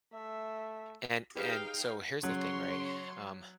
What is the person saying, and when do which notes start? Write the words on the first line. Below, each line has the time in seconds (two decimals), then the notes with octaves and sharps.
And, and so here's the thing, right? Um,
0.14 A3 E5
1.35 D#4 G4 G#4 B4 F5 G5
2.23 C#3 F#3 C#5 C6